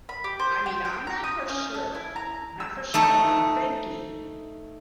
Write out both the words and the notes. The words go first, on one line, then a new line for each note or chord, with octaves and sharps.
I mean, I'm not for sure. Not for sure, but I'm thinking
B5
G4
C5
G5
G5
A#5
D#6
C#4
A4
E4
A#5
E6
A3 D#4 A4